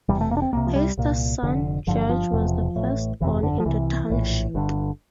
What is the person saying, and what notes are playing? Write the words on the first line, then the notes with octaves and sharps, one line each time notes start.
Heister's son, George, was the first born in the Township.
E1 E2 C3 G3
A3
A#3
D4
C4
C2 C3 A#3
F3
G3
C2 A#2
F1 F2 D3
G1 G2 D3 F3
F3
E1 E2 C3
A1 A2
G1 F2 C3 E3
D3
F3
C2 C3 E3
A#1 A2
G1 G2 D3